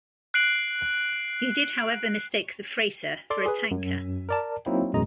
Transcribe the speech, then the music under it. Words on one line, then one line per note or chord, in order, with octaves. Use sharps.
He did, however, mistake the freighter for a tanker.
F#6 C7 D7 F#7
A4 D5 C6 D6
G#4 B4
F#2
A#4 D5 A5
F#3 A#3 C4 D#4 E4
A1 F#2 B2 G#3 D#5 A#5